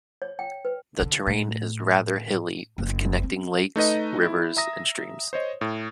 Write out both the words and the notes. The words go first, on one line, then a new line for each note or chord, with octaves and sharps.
The terrain is rather hilly, with connecting lakes, rivers and streams.
C#5
G5
B4
D3 D#3
A2
F#1 F#2
C4
A3 D#4 B4 D#5
E4
E5 A#5 D#6 A#6
C5 C#5 D#5
A2